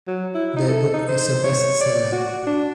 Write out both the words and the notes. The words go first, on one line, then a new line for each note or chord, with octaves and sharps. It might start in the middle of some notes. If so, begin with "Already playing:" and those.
Their book is a best seller.
F#3
E4
D#4
A4
D#4
C5
C#5
D5
F#4
D4